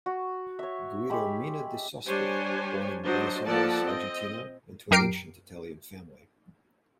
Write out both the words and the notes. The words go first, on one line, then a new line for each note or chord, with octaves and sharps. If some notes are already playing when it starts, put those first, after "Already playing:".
Guido Mina di Sosprio born in Buenos Aires, Argentina, into an ancient Italian family.
F#4
C#5 E5
G#3 G4 B5
G3 D4 G4 C5 C#5 G#5
F#3 D4 C5 D#5
F3 A#3 A4 D5 F#5 A5
C4 D#5
F#2 G4 A#4 C7 D7